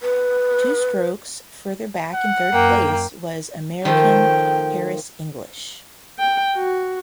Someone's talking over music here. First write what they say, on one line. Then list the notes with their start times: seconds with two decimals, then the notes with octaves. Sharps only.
Two strokes further back in third place was American Harris English.
0.01 B4
2.13 F#5
2.50 F#2 A#3 G5
3.85 D#3 F3 A3 G5
6.19 G5
6.56 F#4